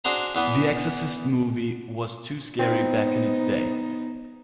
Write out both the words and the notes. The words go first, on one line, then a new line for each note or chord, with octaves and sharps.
The Exorcist movie was too scary back in its day.
D4 F#4 G#4 C5 A#5
E2 E3 B3
B3 C4 D#4